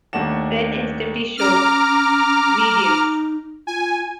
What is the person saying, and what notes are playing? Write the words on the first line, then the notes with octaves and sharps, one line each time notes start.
Ren and Stimpy Show: Veediots!
D#2 A3 D4 F#5 E7
C#4 A#5 D6 F6
D#4
F4 G#5